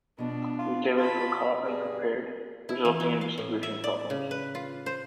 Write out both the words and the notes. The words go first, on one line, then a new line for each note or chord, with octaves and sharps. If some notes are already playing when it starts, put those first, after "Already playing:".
Retailers were caught unprepared, resulting in distribution problems.
B2 F3 B3 D4
F4
F4 A5 B5
G2 G#4
E4
E3
E3
F5
A2
E5
D5
C#3
B4
F4
C5